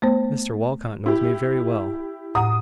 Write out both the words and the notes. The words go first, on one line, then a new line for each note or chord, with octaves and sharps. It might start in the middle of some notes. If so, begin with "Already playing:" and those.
Mr Walcot knows me very well.
A3 B3 C5
E4 G4
A2 F#5 A#5 D#6